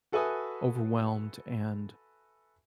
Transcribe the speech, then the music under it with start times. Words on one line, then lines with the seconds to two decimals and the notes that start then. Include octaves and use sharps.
overwhelmed and
0.12 F#4 A4 B4 E5 G#5 D#6